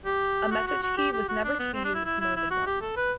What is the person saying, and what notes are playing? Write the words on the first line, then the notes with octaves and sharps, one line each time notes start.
A message key was never to be used more than once.
G4
F#4
F#4
F#4
G4
G4
F#4
D4
B3
C4
D4
E4
E4
E4
E4
F#4
G4
A4
B4